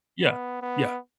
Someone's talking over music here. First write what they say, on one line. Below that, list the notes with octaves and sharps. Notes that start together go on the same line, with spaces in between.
yeah, yeah.
B3
B3